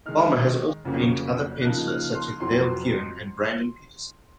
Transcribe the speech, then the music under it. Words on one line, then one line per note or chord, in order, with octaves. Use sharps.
Farmer has also inked other pencillers, such as Dale Keown and Brandon Peterson.
D#3 G#3 D#4 F6
F2 C#3 F#3 A#3 C#4
C#3 F3 A#3 D#4 F#6
F6
C6
F2 C3 F#3 C6